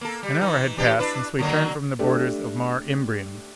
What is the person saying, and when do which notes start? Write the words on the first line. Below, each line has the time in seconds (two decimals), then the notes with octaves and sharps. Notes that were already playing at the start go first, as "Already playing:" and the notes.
An hour had passed since we turned from the borders of Mare Imbrium.
0.01 A#3 A4
0.23 G3
0.41 E3 D#4
0.77 E3 D4 G4
0.99 D4 E4 B4
1.39 D3 F#3 A#3
1.99 A3 D4 G4